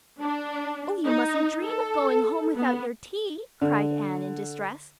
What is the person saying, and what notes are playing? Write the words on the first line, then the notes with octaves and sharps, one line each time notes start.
"Oh, you mustn't dream of going home without your tea," cried Anne in distress.
D4
D#4
A4
B3
D3